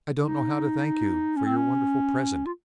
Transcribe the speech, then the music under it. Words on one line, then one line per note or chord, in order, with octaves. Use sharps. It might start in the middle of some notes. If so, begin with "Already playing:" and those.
I don't know how to thank you for your wonderful present.
D#4
C#4
C4
C#4
F4